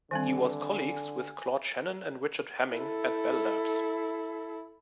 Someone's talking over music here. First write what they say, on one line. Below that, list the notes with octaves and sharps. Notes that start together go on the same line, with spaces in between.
He was colleagues with Claude Shannon and Richard Hamming at Bell Labs.
D3 D#3 G3 C4 G#5
E4 A4